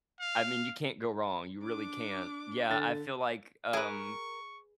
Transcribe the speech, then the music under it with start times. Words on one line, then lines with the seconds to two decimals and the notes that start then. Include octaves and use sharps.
I mean, you can't go wrong, you really can't. Yeah, I feel like, um,
0.21 F5
1.62 D4 D6
2.70 D3 A6
3.73 G#4 A#4 B4 C#6